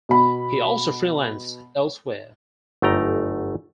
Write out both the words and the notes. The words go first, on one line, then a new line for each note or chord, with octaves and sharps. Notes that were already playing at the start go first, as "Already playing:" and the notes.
He also freelanced elsewhere.
B2 B5
G1 F#2 A3 D#4 G5 A#5